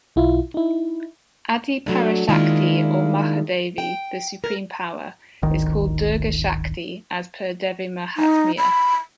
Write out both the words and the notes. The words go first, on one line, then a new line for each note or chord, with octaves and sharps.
Adi Parashakti or Mahadevi, the Supreme power, is called Durga Shakti as per Devi-Mahatmya.
B1 E4 F4
D#4 E4
F#3 A3 D4
D#3 G#3 A#3 D4 E4 F4
G5
A#4
D1 G#1 D#3
D#4
B5